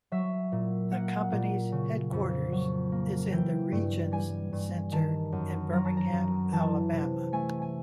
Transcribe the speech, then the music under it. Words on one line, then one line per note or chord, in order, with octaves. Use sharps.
The company's headquarters is in the Regions Center in Birmingham, Alabama.
F#3 E5
A#2
A#3 F#5
A#2
C#3
F2
F#3
A#3
E3 G5
G2
G3 G#5
G2
D#3 A5
F#2
F#3 A#5
A5
A#5
F#2
E3 A5
C3
A3 G#5
G#5